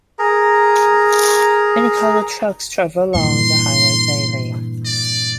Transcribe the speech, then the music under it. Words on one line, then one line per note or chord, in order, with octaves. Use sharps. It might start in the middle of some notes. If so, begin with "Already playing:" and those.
Many cargo trucks travel along the highway daily.
G#4 A#4 A#5
G2 A#2 E3 C6
D5